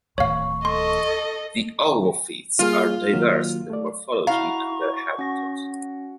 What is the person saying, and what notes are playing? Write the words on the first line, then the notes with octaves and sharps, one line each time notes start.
The Ulvophytes are diverse in their morphology and their habitat.
D1 D#3 C#5 F5 C#6
A4 D#5 C6
G3 A#3 F4 G#4
D#3 F#3 A#3
A3 D5
E4 F#4 F5 A#5 C#6
C#4 F#4 A#6